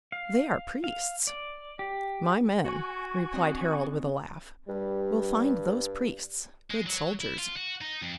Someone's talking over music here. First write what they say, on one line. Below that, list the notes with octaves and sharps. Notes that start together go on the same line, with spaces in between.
They are priests.' 'My men,' replied Harold, with a laugh, 'will find those priests good soldiers!'
F5
F5
D5
G4
F#4 G#5 C#6
C4 D4 D#5
G2 G3
G#3
F#3
E4
F4
F#4
D#4
F2